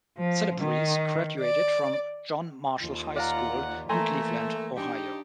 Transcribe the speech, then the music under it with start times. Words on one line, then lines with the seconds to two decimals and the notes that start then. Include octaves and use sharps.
Celebrezze graduated from John Marshall High School in Cleveland, Ohio.
0.17 F3
0.59 D#3
1.39 D5
2.80 D#2 F4
3.16 D5 F5 F#5 A#5
3.89 E3 A3 A#3 G#5 A#5 C6
4.76 D4 D#4 G4